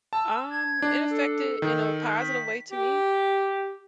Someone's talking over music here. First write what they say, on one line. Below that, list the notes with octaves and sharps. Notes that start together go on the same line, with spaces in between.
Um, it affected in a positive way to me,
A5 E6
G#6
D4
A4
D#3
B6
G4